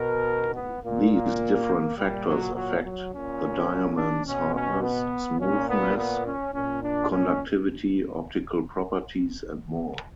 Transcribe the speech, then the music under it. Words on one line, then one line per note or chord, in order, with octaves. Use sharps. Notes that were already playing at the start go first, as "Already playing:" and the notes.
These different factors affect the diamond's hardness, smoothness, conductivity, optical properties and more.
Already playing: B2 A#4
B3
A#2 A#3
A#3
A#2 G3
F#3
F#3
F#3
A#2 C#4
D4
B2 C#4
C#4
B3
A#2 C#4
B3
B3
C#4
A#2 C#4
D4
C#4